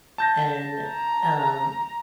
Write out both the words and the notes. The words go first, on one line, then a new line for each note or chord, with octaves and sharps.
and, um,
A5 G6 A#6
A#5